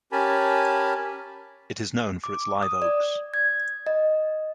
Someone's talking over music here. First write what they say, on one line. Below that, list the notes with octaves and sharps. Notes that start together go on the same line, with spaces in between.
It is known for its live oaks.
C#4 G4 A#4 G#5 A5 B5
D6
D#6
D5
G#6
D#5